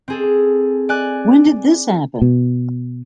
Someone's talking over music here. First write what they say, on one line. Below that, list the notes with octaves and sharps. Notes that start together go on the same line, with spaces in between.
When did this happen?
C4 G#4 A4
D5 G#5 F#6
B2